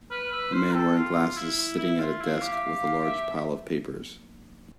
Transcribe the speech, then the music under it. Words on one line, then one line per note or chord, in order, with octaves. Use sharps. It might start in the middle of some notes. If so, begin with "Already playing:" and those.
A man wearing glasses sitting at a desk with a large pile of papers.
B4 F6
B4 E6
C5 F6
A4 G5
F4
E4
E4 E5
F4
E4 F5
G4
E5
F5
E5